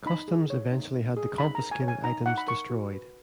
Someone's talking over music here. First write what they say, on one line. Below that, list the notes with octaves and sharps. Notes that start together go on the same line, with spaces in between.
Customs eventually had the confiscated items destroyed.
D#4 B5
G#4
C#5
D#4
D#4
G#4
D#4 B5
A#4 A#5
G#5
C#5
G#5
D#4 A#5
D#4 F#5
B5
A#4 C#6
F#4
B4